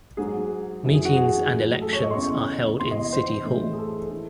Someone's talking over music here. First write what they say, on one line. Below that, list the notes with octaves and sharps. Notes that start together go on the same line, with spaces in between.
Meetings and elections are held in city hall.
G#2 F#3 G#4
F#2 E3
G#4
F#4
G#4
A2 F#3
A4
C#5
D#5
C6
E2 C#3 E3 C#6
E2 C3 E3 C6
D#5
D#5
C5
A2 E3
G#4
A4
E3